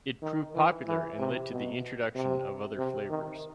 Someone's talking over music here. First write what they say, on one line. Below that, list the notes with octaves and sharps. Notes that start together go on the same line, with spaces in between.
It proved popular and led to the introduction of other flavors.
D#3
E3
E3
C3
B2
C3
C3
D#3